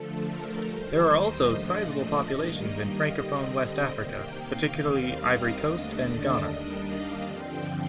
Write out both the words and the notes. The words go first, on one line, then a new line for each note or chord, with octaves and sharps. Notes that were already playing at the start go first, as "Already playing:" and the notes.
There are also sizable populations in francophone West Africa, particularly Ivory Coast and Ghana.
Already playing: D3 F3 A3 A4
A#4
D#2 D#3 G3 C5
D#5
A#2 F3 A3 D4
G2 D#3 G3 A#3 D#5
D#5
D3 G3 C4 D#5
D#5
C3 D#3 A#3 G5
F5
D#2 D#3 G3 C4 F5
D#5
D#2 D3 A3 D4 D#5
D5
D#2 D#3 G3 D4 D#5
F5
G2 D3 F3 C4 G5